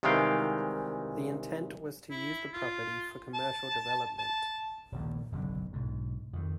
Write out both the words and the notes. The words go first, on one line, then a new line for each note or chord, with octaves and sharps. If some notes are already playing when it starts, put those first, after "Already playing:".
The intent was to use the property for commercial development.
C2 D#3 E3 G#3 F5 G5
E4
F4
A5
A5
D#1 A#1 D#2
F#1 B1 D3
B1 G#2
F2 D#3